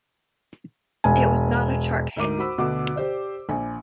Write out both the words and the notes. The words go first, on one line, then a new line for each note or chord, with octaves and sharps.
It was not a chart hit.
E1 G#5
D2 G#2 D#4 A#4 D6 D#7
F#4 C5 B5 E6
D2 B2 D3 F#5 D6
G4 C5 D5
A#1 G#5